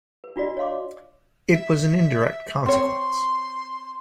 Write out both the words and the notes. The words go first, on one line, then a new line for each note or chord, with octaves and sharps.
It was an indirect consequence.
B4
D4 F4 F#4 D5 D#5
C#5 D#5 F5 C6 D6
E5
C4 C#5 C6